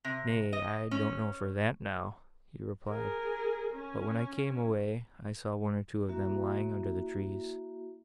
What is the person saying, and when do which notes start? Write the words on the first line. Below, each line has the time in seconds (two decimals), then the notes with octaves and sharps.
'Nay, I don't know for that, now,' he replied, 'but when I came away I saw one or two of them lying under the trees.'
0.05 C3
0.53 D#5
0.91 C#4
2.88 G#4 A#4
3.73 C#4
6.09 A#3 E4 F#4 E5